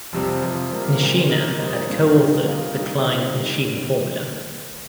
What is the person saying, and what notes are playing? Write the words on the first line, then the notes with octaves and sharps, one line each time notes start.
Nishina had co-authored the Klein-Nishina formula.
F2 C3 G3 C4
F2 C3 F3
C3 G3 A#3 F4
A#2 G3 C4
D#3 A#3 F4 A#4 D#5
G2 G3 D#4 C5 D#5
G2 D#3 C4 F4 D#5
C3 F3 D#4 G4
G2 G3 A#3 F4 D#5
G2 G3 D#4
D#3 C4 F4 C5 D#5
D#2 D#3 G3